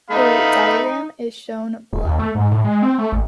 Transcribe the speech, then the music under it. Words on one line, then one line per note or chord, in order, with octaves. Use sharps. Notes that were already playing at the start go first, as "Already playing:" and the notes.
A diagram is shown below.
A3 B3 D#4 F5 B5
D#1
D#2
A3
G#2
A2
G#3
C4
A3
A1